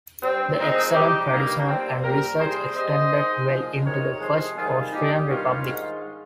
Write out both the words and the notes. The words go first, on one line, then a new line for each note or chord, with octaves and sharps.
The excellent tradition and research extended well into the First Austrian Republic.
G2 G3 C4
A#2 F3 G#3 C4 D#4
C3 G3 D#4 G4
G2 D#3 G3 A#3
A#2 G3 C4
A#2 G3 G4 A#4
C3 G3 G#4 C5
C3 G3 C5 D#5
G#2 D#3 G#3
A#2 F3 G#3
C3 D#3 G#3 A#4 C#5
C3 F3 G#3 G#4 C5
C3 D#3 G3 F4 G#4
A#2 G3 D#4 G4
G2 D#3 G3 C#4 F4
G#2 D#3 G#3